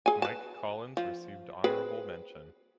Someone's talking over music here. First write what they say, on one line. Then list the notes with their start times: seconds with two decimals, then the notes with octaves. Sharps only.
Mike Collins received honorable mention.
0.06 G#4 G#5
0.22 B4 A5
0.97 F3
1.64 C4 G#4 B4